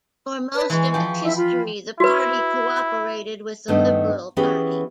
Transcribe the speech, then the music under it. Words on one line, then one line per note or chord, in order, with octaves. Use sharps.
For most of its history, the party cooperated with the Liberal Party.
B4 C#5 A5
E3 G#3 C#6
F3 G4
E4 E5 E6
F4 B5
E4 F#4 B4
G2 D#3 A3 B3 D4
E3 B3 C#4 G4 G#4 B4